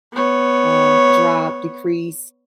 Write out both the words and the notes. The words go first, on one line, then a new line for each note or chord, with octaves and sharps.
uh, drop, decrease.
B3 C#5